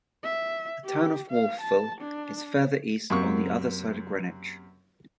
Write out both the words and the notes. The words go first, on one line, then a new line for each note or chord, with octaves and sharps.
The town of Wolfville is further east on the other side of Greenwich.
E5
G4
F5
A5
D4
F#2 C3 A#3 C#6